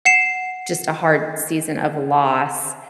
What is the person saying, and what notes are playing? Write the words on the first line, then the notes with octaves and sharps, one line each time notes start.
just a hard season of loss,
F#5 C7 E7